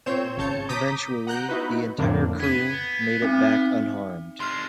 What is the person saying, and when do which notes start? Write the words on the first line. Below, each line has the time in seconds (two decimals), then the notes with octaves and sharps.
Eventually, the entire crew made it back unharmed.
0.06 A#2 C4 C5 C#5 G6 E7
0.37 G#1 C#3 C#5 A5 G6 C#7
0.69 A#5 D6 D#6 G6 B6 D#7
1.27 F#5 A#5 F#6 G6
1.49 B3 D#4 E4 F#4 B4
1.98 F2 A2 D3 A#3 D4
2.40 B3 G#6 D#7
3.22 C4 D#4
4.40 G#3 D4 C6 F6